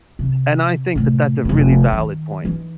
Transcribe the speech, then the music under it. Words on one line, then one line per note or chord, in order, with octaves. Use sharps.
And I think that that's a really valid point.
C3
A2 C3
F1 D3
D#3
E3 D#4